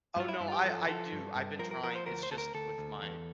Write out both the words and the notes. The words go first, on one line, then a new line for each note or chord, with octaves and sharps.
Oh, no, I I do, I've been trying, it's just with my
G2 F4
E4
G2 E4
F4
G4
F3 A4
F3 A4
G2
G2
F3 A#4
A#4
F3 A#4
C5
D2 A#4
C5
D2 A4
A#4
D2 A4
D2
E2